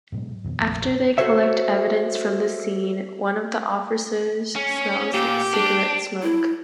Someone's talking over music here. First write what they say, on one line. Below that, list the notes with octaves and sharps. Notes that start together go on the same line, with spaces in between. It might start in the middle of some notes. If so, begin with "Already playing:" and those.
After they collect evidence from the scene, one of the officers smells cigarette smoke.
G#2 B2 F#3 G#3
F2 B2 D#3
D#1 A#1 F2 F3
F#4 A4 C5 C#5 E5
C#4
A#2 G4
D4
E4